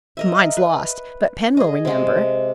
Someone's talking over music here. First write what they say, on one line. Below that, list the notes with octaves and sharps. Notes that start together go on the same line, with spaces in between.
Mine's lost, but Pen will remember.'
A#4 D#5 E5
B4
G#4 D#5
C3 G#3